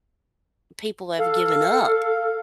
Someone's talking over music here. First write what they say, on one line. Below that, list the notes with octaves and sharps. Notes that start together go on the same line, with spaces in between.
people have given up,
A4 F5